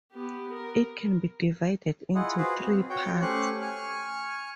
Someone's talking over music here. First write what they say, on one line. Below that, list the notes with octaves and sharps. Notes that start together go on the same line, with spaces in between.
It can be divided into three parts.
B3 G4
A#4
E4 F4 G#4 D#5 F#5
F4 F#4 G#4 B4 C5
C4
F#4 C#5 G5
A3 C#4 G4 C5 C#6 F#6
G#5 C#6 F6